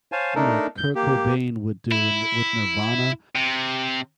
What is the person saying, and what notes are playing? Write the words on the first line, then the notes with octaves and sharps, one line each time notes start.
you know, Kurt Cobain would do in with Nirvana,
C5 C#5 F5 G#5 A5
A3 D4 D#4 A4 A#4
G6
A#3 G4
E4
C3